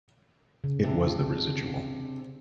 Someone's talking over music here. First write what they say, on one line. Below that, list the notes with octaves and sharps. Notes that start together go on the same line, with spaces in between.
It was the residual.
C#3
C3 D4